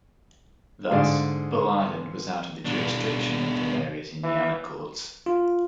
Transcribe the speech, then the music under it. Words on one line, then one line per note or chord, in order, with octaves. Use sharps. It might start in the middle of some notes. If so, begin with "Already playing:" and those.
Thus, Bull Island was out of the jurisdiction of the various Indiana courts.
G#2 D3 G#4 D5 F5
B2 D4
E3
F4